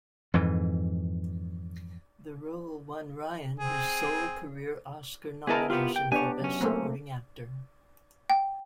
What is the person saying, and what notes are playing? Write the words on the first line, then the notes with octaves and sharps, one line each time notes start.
The role won Ryan his sole career Oscar nomination, for Best Supporting Actor.
F2 G#2 E3
C4 G#4
B3 E4 G#4 A#4 D#5 A5
B3 F4 G4
G5
B3 D4 G4 C#5 G#5
F#2 C#4
A3 A#3 C4
G5